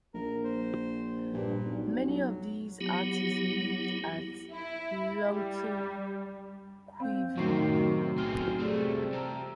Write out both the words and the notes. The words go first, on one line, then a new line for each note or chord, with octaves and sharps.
Many of these artists lived at Loughton, q.v.
A#1 A#4
C5
G2 A#2
B1
F#3
F#3 B3 E4 G4
E4
G3
C4 F5 G6
F#2 A2 C3 D#3 C4 C#6 C7
B1 C4 G#4 C6 F6 G7
C2 C3 A3 G#4 A4 D5
C4 C5 A5 A#5 E6